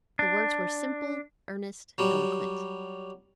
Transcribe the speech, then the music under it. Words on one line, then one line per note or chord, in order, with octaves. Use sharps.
The words were simple, earnest, eloquent.
D4
F#3 G3